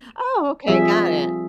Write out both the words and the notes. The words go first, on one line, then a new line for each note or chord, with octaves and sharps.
Oh, okay, got it.
F3 G3 C4 G#4 E5